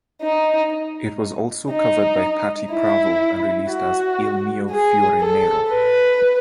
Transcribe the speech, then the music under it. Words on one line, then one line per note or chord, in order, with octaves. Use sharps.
It was also covered by Patty Pravo and released as "Il Mio Fiore Nero".
D#4
D#4
E4
F#4
G#4
A4
B4